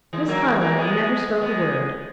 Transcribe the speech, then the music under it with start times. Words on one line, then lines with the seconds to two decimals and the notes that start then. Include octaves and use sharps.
Miss Carlyle never spoke a word.
0.13 E3 G#3
0.28 F#3 A#3
0.44 E3 G#3
0.61 F#3 A#3
0.76 G#3 B3
1.41 G#3 B3